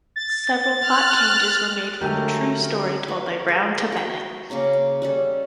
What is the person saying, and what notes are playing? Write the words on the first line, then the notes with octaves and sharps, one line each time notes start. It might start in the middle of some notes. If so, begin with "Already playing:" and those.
Several plot changes were made from the true story told by Browne to Bennett.
A6
F6 F#6
D3 F#3 G#3 A3 G4 A4 A#4 G#5
B4
G#4
F#4 G5
C#3 A#3 C#4 A#5
G3 C#4 A4